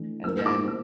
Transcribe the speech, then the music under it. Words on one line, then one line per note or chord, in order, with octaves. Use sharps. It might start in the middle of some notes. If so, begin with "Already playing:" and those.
and then
Already playing: E3 A3 D4
A#3 E4 A#4 E6
E6
D6
E6